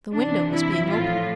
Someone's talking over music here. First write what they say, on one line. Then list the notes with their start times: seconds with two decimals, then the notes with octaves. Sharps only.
The window was being opened.
0.13 C3 E3 D4
0.51 E4
0.89 A2 F3 F4